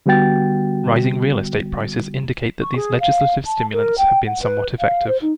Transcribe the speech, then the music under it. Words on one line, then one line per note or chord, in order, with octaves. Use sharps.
Rising real estate prices indicate that these legislative stimulants have been somewhat effective.
D3 G3 B3 F#4 G5 A6
C#6
G#4
F5
A5
A#4
G5
F#5
B4
F5
C5
D#4